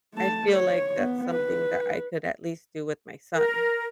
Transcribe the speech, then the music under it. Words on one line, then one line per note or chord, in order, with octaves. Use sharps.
I feel like that's something that I could at least do with my son.
A3 A5
C#5
B3
B4
A#4